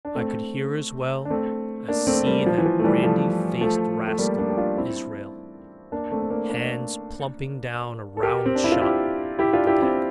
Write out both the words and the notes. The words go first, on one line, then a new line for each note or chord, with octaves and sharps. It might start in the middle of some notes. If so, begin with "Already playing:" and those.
I could hear as well as see that brandy-faced rascal Israel Hands plumping down a round-shot on the deck.
D4
A3 C4
D4
A3 C4
A#3 D4
A3 C4
G3 A#3
F3
E3
F3
A3
E3 G3
F3 A3
F3 A3
A3
G3 A#3
A#3 D4
G4
D4 F4
C4 E4
A#3 D4
A3 C4
C4
A#3 D4
A#3 D4
A4
G4 A#4
C4
D4
E4
F4
E4 G4
E4 G4
D4 F4
E4 G4
C4 E4